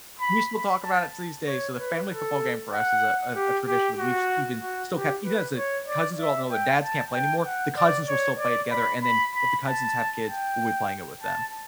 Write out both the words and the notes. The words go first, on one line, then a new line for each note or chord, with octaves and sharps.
We still talk about it to these day, so the family football game for us is a a a tradition that we've even still kept even as the cousins are all grown, their dads can't play anymore, the cousins will still play it together, and then if the cousins have kids, we'll be playing it with them.
B5
B5
A5
C#5
B4
A4
F#5
G4
G4
F#4
F#4
G4
B4
C#5
D5
E5
G5
A5
G5
F#5
D5
C#5
D5
B5
B5
B5
A5
G5
A5